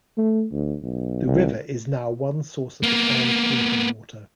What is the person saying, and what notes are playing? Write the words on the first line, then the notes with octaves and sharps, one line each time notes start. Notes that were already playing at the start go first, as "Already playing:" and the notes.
The river is now one source of the town's drinking water.
A3
D2
B1
C2
A#3 B3